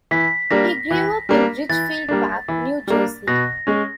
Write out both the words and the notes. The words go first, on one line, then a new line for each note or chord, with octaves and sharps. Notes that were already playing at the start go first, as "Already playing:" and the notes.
He grew up in Ridgefield Park, New Jersey.
E3 B6
G3 A#3 D4 A#6
E3
G3 A#3 D4
E3 A6
G3 A#3 D4
E3
G3 A#3 D4
B2 A#6
G#3 C#4